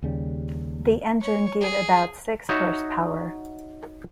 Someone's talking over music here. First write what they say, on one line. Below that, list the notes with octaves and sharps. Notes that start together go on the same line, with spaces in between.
The engine gave about six horse-power.
D#2 C#3 G3
C#5
G#4
D#4 F#4 C#5 E5